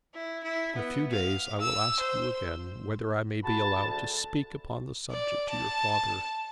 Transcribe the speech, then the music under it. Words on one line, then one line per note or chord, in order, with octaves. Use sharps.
In a few days I will ask you again whether I may be allowed to speak upon the subject to your father.
E4
E4
B3
F5
E6
C5
F#4 G#4 A5 B5
D2
D5
A5